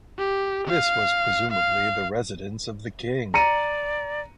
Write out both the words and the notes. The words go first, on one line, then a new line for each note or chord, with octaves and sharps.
This was presumably the residence of the king.
G4
F5
F5
D5 A#5 C#7 D#7